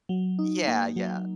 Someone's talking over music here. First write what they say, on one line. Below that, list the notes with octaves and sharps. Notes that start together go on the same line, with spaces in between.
Yeah, yeah.
F#3
D#4
A#3
F#3